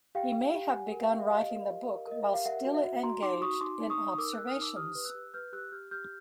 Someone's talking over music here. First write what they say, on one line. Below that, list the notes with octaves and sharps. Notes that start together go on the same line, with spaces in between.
He may have begun writing the book while still engaged in observations.
G4 F5 G5
G4
G4
G4 F#5 G#5
A#4
F5 G5
G4
E5
G4 D#5 F5
A#4
G4
A#4
A#4 D#5
G4 E5
F5
A#4 E5 F#5
F#4
E5 F#5
F#4
F#4 A#5 C6
D#4 C6 D6
F#4 C#6 D#6
D#4 C6 D6
D#4
C#6 D#6
D#4
D#6
A#4 D6 E6
A#4 E6 F#6
D#6 F6
D#4 D6 E6
G4 D#6 F6
B4
E6 F#6
G4
B4 F6 G6
G4 E6 F#6
G4 F6 G6
G4 F6 G6